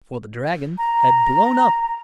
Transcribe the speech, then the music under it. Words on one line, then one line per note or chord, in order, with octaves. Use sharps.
For the dragon had blown up.
A#5